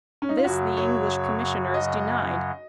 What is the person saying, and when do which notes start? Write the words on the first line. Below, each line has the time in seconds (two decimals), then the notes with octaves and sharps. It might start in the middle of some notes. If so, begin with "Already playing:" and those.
This the English Commissioners denied.
0.22 C#4
0.29 D#4
0.37 F4
0.44 F#2 C#3 F#3 F#4
0.77 C#5
1.74 D#5